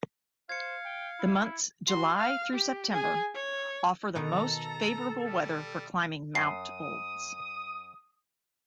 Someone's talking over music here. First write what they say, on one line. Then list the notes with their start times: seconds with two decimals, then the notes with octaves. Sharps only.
The months July through September offer the most favorable weather for climbing Mount Olds.
0.49 C5 F5 G#6 C#7
0.85 G5
1.20 E4
1.87 F#4 C6
2.16 F5 F6
2.53 G4
2.92 G#4 G#5
3.34 C#5
4.15 B2 D#3 B3 A4 A#5
5.24 G3
6.35 F#2 D#6 C7